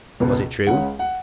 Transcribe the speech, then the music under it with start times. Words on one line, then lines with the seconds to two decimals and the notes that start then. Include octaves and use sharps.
"Was it true?"
0.20 C#2 B2 B3
0.67 C#2 C#3 G#3 C#4 F#5
0.99 F#5